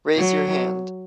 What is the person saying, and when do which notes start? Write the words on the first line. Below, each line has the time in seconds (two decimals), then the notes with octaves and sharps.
Raise your hand.
0.17 F#3